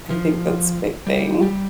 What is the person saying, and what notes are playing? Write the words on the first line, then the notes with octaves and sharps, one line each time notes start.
I think that's a big thing.
F3
G3
G3